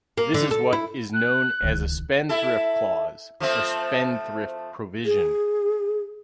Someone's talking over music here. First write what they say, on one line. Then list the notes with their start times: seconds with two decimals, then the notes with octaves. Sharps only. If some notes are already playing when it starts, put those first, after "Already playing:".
This is what is known as a spendthrift clause or spendthrift provision.
0.17 A#3
0.34 D3
0.51 A4
0.73 E4
1.14 F#6
1.63 D1 C#2 D#3
2.29 E4 A4
3.40 F3 A3 C4
5.05 G#4